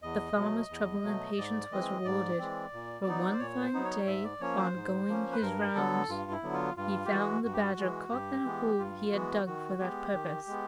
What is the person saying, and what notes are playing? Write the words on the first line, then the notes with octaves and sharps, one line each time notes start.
The farmer's trouble and patience was rewarded, for one fine day on going his rounds he found the badger caught in a hole he had dug for that purpose.
E2 D#5
B2 F#3 A3
E2
B2 F#3 A3
G#2 D5
E3 G#3 C4 D#5
G#2 D5
E3 G#3 C4
A#2
F#3 B3 D#4
C5
A#2 C#5
C5
F#3 B3 D#4
C#5
G#2 E5
D5
F3 A#3 C#4 C#5
C5
G#2
F3 A#3 C#4
B4
G2 A#4
D3 F#3 B3 A4
G2 F4
E4
D3 F#3 B3
F4
G2 F4
G4
E3 G#3 F#4
G2 F#4
G4
F#4
E3 G#3
G2 G4
E3 G#3 B3
G2 F4
E3 G#3 B3 F#4
D#3 F#4
G#3 B3 G4
D#3
G#3 B3